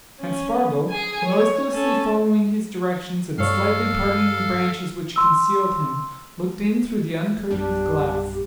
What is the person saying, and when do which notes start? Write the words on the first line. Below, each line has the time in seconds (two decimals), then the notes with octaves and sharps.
And Spargo noiselessly followed his directions and slightly parting the branches which concealed him looked in through the uncurtained glass.
0.19 C#4
0.89 G#4 G#5
1.25 C#5
1.70 C#4 A4
3.38 G2 A4 C#5 F5 F6
5.16 C6 E6
7.51 A#1 F#2 G3 B3 D4 G4